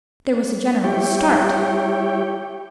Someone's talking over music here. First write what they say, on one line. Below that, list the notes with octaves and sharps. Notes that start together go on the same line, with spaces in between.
There was a general start.
G3 E4 G4 C#5 G5